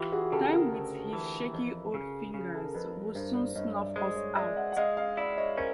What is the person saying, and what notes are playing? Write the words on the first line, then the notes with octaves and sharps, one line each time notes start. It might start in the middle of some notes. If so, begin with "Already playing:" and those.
Time with his shaky old fingers will soon snuff us out.
Already playing: E3 F4 G4
F#4 G#4
C#3 G4 A4
G#4 A#4
D2
E3
F2
C#3
C#3
A4
A#4
F2 A4 B4
G2 A#4 C5
C5 D5
G2 C#5 D#5
D5 E5
G#3 C5 D5
C#5 D#5
G#3 D5 E5
E5 F#5
F#5
G#3 D#5 F5
D#5 F5
E4 D5 E5
C#5 D#5
C#4 A#4 C5